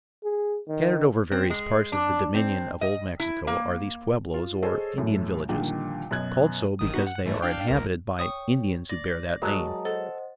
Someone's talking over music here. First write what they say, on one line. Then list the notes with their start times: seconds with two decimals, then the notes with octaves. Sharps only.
Scattered over various parts of the dominion of Old Mexico are these Peublos, or Indian villages, called so because they are inhabited by Indians who bear that name.
0.24 G#4
0.68 D#3
1.32 C4
1.50 G#3
1.92 D4
2.34 C4
2.81 D#5
3.20 E4
3.47 A#3
4.34 F4
4.63 G#4 A4 C5 C#5 D#5
4.98 A1 F#2 A2 A3
5.49 A#2 D3 D#3 F3 G3 D#4
6.11 F#2 B2 D#5 F#6 G#6
6.79 G1 D#3 D#6
6.94 B3 D#4 F#4
7.07 F#5
7.26 G#2 E3 A3
7.42 D4 F5 G5
7.68 G#1 C#2 A#4
8.19 C#5 G5 C#6 D#6
8.89 D5 A#6
9.42 F#3 G#3 A#4 A5 A#5 D#6
9.85 A4 C5 D#5 F#5